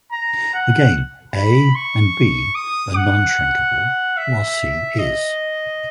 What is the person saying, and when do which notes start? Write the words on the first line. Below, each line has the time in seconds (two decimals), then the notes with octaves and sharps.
Again, "a" and "b" are non-shrinkable while "c" is.
0.12 A#5
0.54 F#5
1.34 B5
1.75 C#6
2.55 D#6
2.96 F#5
4.17 E5
4.99 D#5